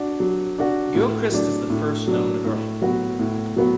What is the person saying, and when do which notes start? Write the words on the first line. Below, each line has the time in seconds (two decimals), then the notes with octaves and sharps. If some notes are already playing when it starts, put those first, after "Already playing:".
Gilchrist is the first known earl.
Already playing: D4 F#4
0.20 F#3
0.58 D4 F#4
0.95 A2
1.32 F#3 D4
1.70 A2
2.08 F#3 D4
2.45 A2
2.82 F#3 B3 F#4
3.19 A2
3.57 F#3 B3 F#4